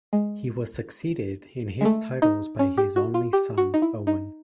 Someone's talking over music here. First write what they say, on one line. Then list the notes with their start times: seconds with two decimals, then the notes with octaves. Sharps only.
He was succeeded in his titles by his only son, Owen.
0.13 G#3
1.81 G#3
1.85 A3
2.22 D#4
2.59 C#4
2.78 G4
2.96 F#4
3.14 F4
3.33 G4
3.58 F#4
3.74 D#4
3.82 E4
4.07 D#4